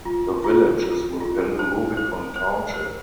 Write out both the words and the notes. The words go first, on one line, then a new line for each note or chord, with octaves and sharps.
The village is within Rubicon Township.
F4
F4
F4
F4
C5
C5
C5
C5